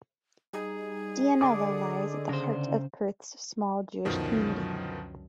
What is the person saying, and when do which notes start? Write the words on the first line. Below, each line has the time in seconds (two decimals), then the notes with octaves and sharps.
Dianella lies at the heart of Perth's small Jewish community.
0.53 G3 D#4 G#4
1.41 D3 A4 D5 D#5 D6 D#6
2.29 C#3 C5
4.05 C#2 F#2 B2 D3 D#3 F3